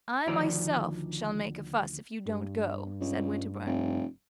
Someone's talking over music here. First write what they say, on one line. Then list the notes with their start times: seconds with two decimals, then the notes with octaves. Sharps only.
"I myself shall make a fuss if you don't go," said Winterbourne.
0.26 D2 D#3 F3 D5 A#5
2.25 G2
3.00 C#2
3.66 F1